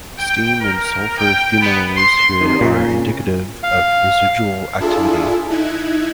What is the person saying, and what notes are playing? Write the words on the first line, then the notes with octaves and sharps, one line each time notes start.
Steam and sulphur fumaroles here are indicative of residual activity.
G5
A#4
G5
B3
C6
C3 D#3
A#2 C#3
F5
D4 E4 F4 G#4 A4
D#4 E4 F#6 G#6